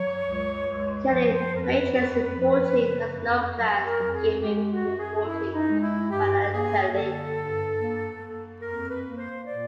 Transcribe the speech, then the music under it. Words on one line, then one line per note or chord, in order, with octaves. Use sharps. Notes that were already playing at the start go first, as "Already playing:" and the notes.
Currently Matrics Importing has no plans to begin re-importing Vana Tallinn.
Already playing: F#3 C#5
C#2
C#2
F3 C5
C5
F2
A#4
B4
F2
F3
C#3
F2
F#3
A#4
F2
G#4
G#3 G4
F#4
F#2
G#4
F#2 E4
D#4
G#3
E4
G2 G4
G4
A#3 G#4
D3 A4
G2
A#3
A#3
F2 A#4
B4
A#3
C5
A#2 D5